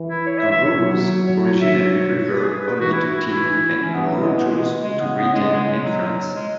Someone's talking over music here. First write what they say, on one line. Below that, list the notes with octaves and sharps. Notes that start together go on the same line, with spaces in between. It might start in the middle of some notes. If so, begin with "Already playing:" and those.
"Kangaroos" originally referred only to teams on "Kangaroo Tours" to Britain and France.
Already playing: E3
E4
C#5
E5
E5
C#5
F#3 C#5
C#5
C#5
E5
C#5
B4
G#4
B4
B4
E3 F#4
E4
F#4
F#4
E4
E3 C#4
B3
F#3
G#3
B3
G#3
C#3 G#3
B3
B3
G#3
G#3
G#3
F#3
G#3